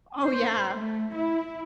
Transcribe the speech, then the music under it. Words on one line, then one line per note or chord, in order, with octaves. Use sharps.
Oh yeah,
C5
A3
E4